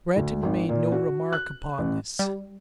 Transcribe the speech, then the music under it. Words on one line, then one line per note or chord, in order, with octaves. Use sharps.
Breton made no remark upon this.
D2
G#1
A#2
F#4
F#6
A1
G3